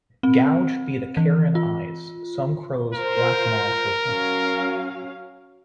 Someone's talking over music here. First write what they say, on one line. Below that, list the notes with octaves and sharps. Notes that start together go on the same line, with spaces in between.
Gouged be the carrion eyes some crow's black maw to replenish.
C4
E3
F4
F4 A#4 C5
F#3 C#4 F5